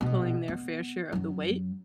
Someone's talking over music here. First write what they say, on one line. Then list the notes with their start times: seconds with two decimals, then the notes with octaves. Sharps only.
pulling their fair share of the weight
0.01 A#1 B2
0.48 B3
1.12 F#2 F#3